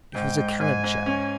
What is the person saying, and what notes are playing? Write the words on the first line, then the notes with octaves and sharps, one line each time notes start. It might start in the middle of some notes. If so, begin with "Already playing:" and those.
It was a cannon shell.
G#2 G5
G#2
G#2 G#5
G#2
C#4